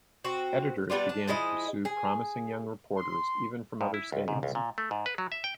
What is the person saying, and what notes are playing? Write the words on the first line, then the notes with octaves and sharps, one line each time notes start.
Editors began to pursue promising young reporters, even from other states.
C4 F#4
G3 B3 D4 F4
D4
F3 G#3 E4 D#5
G#4
C6
G2
E4
C#2
G#2
C#2
A#2
A3
G#2
B4
F#3
E5
G5